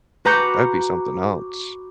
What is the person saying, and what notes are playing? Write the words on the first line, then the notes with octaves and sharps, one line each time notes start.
that'd be something else.
F#4 B4 A#5 D6 G6 C#7